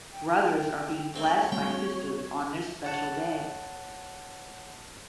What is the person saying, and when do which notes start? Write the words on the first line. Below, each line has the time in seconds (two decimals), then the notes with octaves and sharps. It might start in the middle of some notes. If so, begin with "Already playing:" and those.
Brothers are being blessed by sisters on this special day.
0.13 G5
1.16 A3 C4 C#5
1.52 G3 A3 C4 F#4 G5
2.84 C#5 F#5 A5